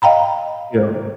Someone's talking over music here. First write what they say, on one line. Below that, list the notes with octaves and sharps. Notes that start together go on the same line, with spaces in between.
you know?
D#5 F5 G5 A#5 B5